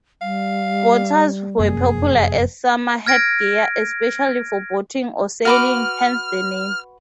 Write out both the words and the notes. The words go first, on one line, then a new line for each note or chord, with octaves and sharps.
Boaters were popular as summer headgear, especially for boating or sailing, hence the name.
G3 F5
F1 F#2 A#3 G#4
F6 G#6 A#6 D7
F#4 B4 D6 F6